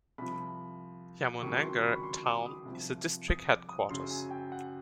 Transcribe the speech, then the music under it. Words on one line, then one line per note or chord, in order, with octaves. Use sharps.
Yamunanagar town is the district headquarters.
C2 C3 F3 B5
C#2 C3 D#3 F#3 C#6
C6
B5
C#6
C6
D6
D#6
C2 C3 F3
D#6
D6
D#6
F#2 C#3 F#3 C6
G#5
G5
F#5